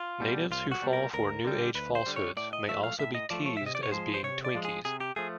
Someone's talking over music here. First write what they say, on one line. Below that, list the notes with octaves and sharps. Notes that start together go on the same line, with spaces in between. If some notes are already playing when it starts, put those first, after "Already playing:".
Natives who fall for New Age falsehoods may also be teased as being twinkies.
Already playing: F4
B2 G3
C2 F4
F#4
B2 G3
A#4
D2 A#4
D3 G3
D2 B4
C5
D3 G3
C#5
A2 D5
D#5
F3 A3 E5
F5
A2 E5
D#5
F3 A3 D5
C#5
E5
C3
D#5
D5
C#5
F3 G#3 C5
C5
C3 C#5
D5
F3 G#3
G#4
C3 G#4
G4
F3 A3 G#4